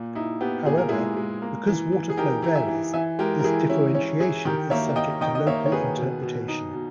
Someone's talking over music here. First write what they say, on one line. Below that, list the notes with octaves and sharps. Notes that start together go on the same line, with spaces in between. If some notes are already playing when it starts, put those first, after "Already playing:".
However, because water flow varies, this differentiation is subject to local interpretation.
Already playing: A#2
D#4 E4
B3 G4
A#2 G#4
A#4
G#3 E4 G#4
G#3
A#3
E3
E3
G#4
D#4 G4 A#4
E3 A#5
E5 G#5
E3
E3 E5 G#5
G#3 G4 A#4
A#4
E3 E4 G#4
C#4 E4
C#4
E3 E4 G#4
D#3 G4 A#4
A#3 C#5 E5
A#3 D#5 G5
D#3 D#5 G5
D#5
A#3 C#5 E5
C#5
D#3 G#4 B4
B2
B2
D#4
B2